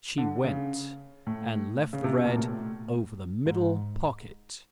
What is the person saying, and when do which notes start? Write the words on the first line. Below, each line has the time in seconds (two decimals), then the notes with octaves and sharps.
She went, and left the red over the middle pocket.
0.18 D3
0.44 C#3
1.27 A2
1.93 C#3
2.04 C3
2.15 B2
2.26 A#2
2.36 A2
3.46 G#2